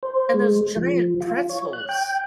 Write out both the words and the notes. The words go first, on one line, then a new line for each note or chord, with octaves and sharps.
And those giant pretzels.
C5
G#3
F3
F4
C#5
F#6
G5